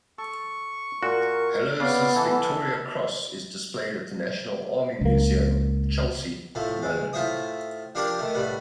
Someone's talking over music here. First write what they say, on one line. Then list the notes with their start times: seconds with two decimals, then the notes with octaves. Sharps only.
Hallowes' Victoria Cross is displayed at the National Army Museum, Chelsea, London.
0.18 A4 C#6
1.03 A#2 F#4 A#4
1.80 C#3 B3 D5 F5
2.16 E3 A4
5.01 C#2 A#3
6.55 A2 F3 A3
6.82 E2 G#3
7.13 A2 F4 C5 E5 D#6
7.95 F3 D4 G4 A#4 C6 D6
8.19 D#3 A3
8.34 A2 G3 B3